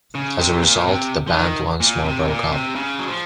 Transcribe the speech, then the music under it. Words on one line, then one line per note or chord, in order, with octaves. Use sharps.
As a result, the band once more broke up.
C#3
C3
A#2
C3
F3
D#3
A#2
C3
A#2
C3
C#3
F#3
F3